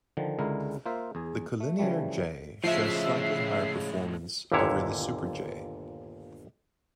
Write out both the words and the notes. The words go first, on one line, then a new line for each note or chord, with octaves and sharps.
The Collinear J shows slightly higher performance over the Super-J.
D3 D#3 F3
C#2 D3 G#3 E4 A#4
A#3 F4 C5 E5
E2 G#4
A3
C#3 E3 F3 G3 A3
A2 C#3 F3 G#3 E5 C7
G1 D#2 A#2 D3 E4 C#5